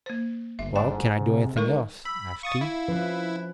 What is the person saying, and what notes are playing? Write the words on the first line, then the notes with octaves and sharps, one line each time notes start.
"Well; can I do anything else?" asked he.
A#3 C5
G1 E5
D4 G5
G#2
C3
D#3 G#3 A#4 C#6
B5 E6
F5 C#6 D#6 A6
E4
F3 C#4 B4